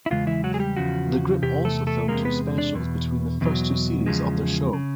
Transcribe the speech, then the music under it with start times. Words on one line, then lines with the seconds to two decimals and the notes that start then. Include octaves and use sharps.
The group also filmed two specials between the first two series of their show.
0.06 E4
0.11 E2 C#3 G#3 F4
0.27 E3 E4
0.44 F#3 F#4
0.54 G#4
0.60 G3 G4
0.76 E2 C#3 F3 F#4
1.42 E2 C3 G4
1.65 A3 A4
1.87 A3 A4
2.08 E2 C3 E3 G#3 A#3 A#4
2.25 B3 B4
2.58 D4 D5
2.75 E2 B2
3.41 E2 B2 F#3
4.06 E2 C#3 F3 G#3
4.73 C#3